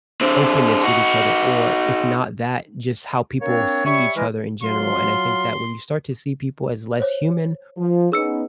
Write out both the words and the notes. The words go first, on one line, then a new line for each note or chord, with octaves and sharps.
openness with each other or if not that, just how people see each other in general, and I think that when you start to see people as less human
D3 C4
D#4 F#4
A#3 C4 D4 C#5
G3 C#5 E5 C#6
E3 G#3 A#4
F#3 F4 C6
C5 C#5
F3
B3 C#4 D#4 G#4 E6 C#7